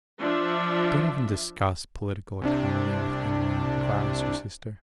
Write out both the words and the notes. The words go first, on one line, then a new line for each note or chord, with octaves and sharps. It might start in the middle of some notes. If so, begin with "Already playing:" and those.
"Don't even discuss political economy with Henry," advised her sister.
F3 D4 E5
C2 C3 D4